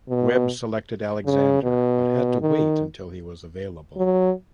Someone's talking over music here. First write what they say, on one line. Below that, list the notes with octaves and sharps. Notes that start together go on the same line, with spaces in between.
Webb selected Alexander, but had to wait until he was available.
B2
C#3
B2
D#3
F#3